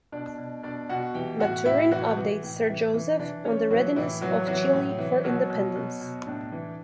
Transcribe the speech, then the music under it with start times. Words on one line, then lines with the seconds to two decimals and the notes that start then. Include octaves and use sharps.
Maturin updates Sir Joseph on the readiness of Chile for independence.
0.12 B2 D4 D5
0.38 B2
0.63 B2 D4 D5
0.89 B2 F#4 F#5
1.15 E3 G4 G5
1.40 A2 F#4 F#5
1.65 A2 E4 E5
1.91 E3 F#4 F#5
2.17 E3
2.43 A2
2.69 E3
2.93 E3
3.19 E3 D4 D5
3.44 E3 C#4 C#5
3.70 E3 F#3 F#4
3.96 A2 E3 E4
4.21 E3 F#3 F#4
4.47 E3 F#3 F#4
4.73 A2
4.98 E3
5.24 B2 F#3 F#4
5.50 B2
5.75 B2
6.01 B2
6.26 A2 D4
6.52 E3